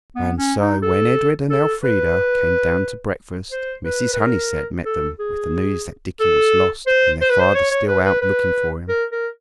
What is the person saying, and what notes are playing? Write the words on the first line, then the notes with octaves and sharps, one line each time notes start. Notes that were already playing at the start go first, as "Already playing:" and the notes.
And so, when Edred and Elfrida came down to breakfast, Mrs. Honeysett met them with the news that Dickie was lost and their father still out looking for him.
B3
C#4
D#4
A4
A4
B4
C5
B4
B4
A#4
A4
G#4
A4
C5
C5
B4
C5
C#5
C#5
B4
B4
B4
A#4
A#4